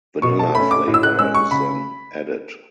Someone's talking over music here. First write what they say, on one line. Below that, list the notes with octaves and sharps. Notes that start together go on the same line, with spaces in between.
Vanilla flavor is then added.
B2 C#6
A5
A3 C#4 B5
D6
A2
E6
F#6
G#3 C#4 E6
C#6
C#3 B5